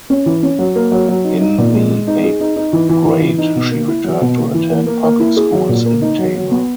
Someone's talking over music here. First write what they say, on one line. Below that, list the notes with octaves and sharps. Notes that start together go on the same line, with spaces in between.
In the eighth grade she returned to attend public schools in Tama.
C#4
E3
C#4
F#3
A#3
F#3
F#3
D#4
D#4
A#2
G#3
G#3
D#4
G#4
D#4
D#4
E3
E3
E3
E3
D#4
B2
A#3
E4
F#3
B2
A#3
E3
A#3
A#3
A#3
E4
G#4
F#3
A#2
A#3
D#4
F#3
F#3
B3